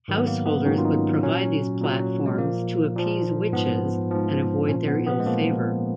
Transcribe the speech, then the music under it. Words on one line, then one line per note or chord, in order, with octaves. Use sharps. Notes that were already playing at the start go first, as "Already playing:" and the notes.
Householders would provide these platforms to appease witches and avoid their ill favour.
G#2 D#3 F#3
B3
A#3
B3
G#2 D#3 F#3 C#4
F4
D#4
A#2 F#3 C#4
A#2 F#3
G#3
A#2 F3 A#3
A#2 F3
G#2 F3 B3
G#2 F3
A#2 F3 C#4
B3
B3
G#3
A#2 F3 A#3